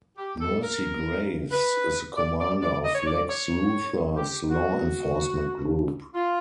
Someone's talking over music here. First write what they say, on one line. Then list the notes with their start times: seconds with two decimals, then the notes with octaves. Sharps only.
Mercy Graves is the commander of Lex Luthor's law-enforcement group.
0.17 G4
0.40 A4
0.62 A#4
1.51 B4
2.17 D5
2.39 D5
2.61 D5
2.84 D#5
2.94 C#5
3.06 D5
3.28 C#5
4.16 G4
4.50 F#4
6.15 F4